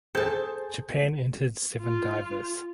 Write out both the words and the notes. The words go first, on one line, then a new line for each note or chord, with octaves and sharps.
Japan entered seven divers.
G#4 A4 C5 A5 G6
F4